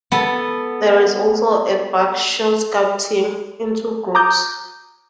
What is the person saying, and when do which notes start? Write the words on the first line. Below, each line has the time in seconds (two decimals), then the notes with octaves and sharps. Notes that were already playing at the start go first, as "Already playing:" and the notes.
There is also a Buckshaw Scout team, in two groups.
0.12 B3 A4
4.15 A#5 D6 D#6 G6